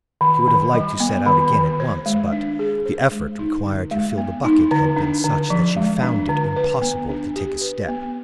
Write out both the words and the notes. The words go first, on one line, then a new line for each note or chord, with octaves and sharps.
She would have liked to set out again at once, but the effort required to fill the bucket had been such that she found it impossible to take a step.
D#3
D#3
G3
B3
D#3
D#3
C5
G#3
D4
G#4
C5
G#3
D#4
D3
G#3
B3
D#4
D3
D4
D3
F3
G#3
D4
D3
B4
B3
D4
G4
B4
B3